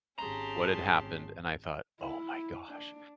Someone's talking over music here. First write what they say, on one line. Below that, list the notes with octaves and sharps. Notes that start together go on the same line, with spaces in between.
what had happened, and I thought, "Oh my gosh."
G#1 C#4 G4 G#4 A5 A#5 C6
E4
D4